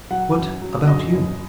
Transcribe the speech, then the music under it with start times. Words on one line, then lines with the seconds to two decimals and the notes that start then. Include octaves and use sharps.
What about you?
0.10 F#3 F#5
0.37 F#2
0.62 F#3
0.87 F#2 D#5
1.13 F#1